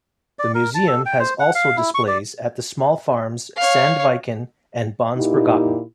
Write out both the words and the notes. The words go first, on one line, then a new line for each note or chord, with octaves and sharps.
The museum has also displays at the small farms Sandviken and Bagnsbergatn.
D5
A#4
A5
A4
G5
C5
F#5
F5
E4
C#6
D5
C#5 F5
A#2 D#4 E4 G4